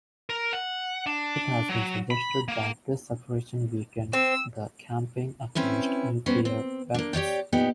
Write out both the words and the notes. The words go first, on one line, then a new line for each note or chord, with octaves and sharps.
It has been suggested that this separation weakened the campaign against nuclear weapons.
A#4
F#5
D4
F#3
B5
A#3
C4 E6
C4 C#4 E4 B4
G3 B3 C#4 C5
C4
A#3 D4
G4 C#5 D5 G5
A#2 B3 D#4 G4